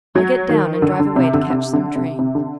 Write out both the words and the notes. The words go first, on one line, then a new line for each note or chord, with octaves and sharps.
I'll get down and drive away to catch some train.
F#3
D#3
D3
D3
C3
D3
C3
D3
C3
C3
D3